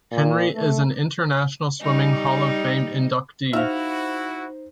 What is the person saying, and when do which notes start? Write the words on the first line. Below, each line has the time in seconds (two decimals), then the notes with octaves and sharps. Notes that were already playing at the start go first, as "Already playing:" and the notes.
Henry is an International Swimming Hall of Fame inductee.
0.11 A#2
0.55 A3
1.81 G3 D#4
3.53 D#4 E4 F#4 C5 E5 F5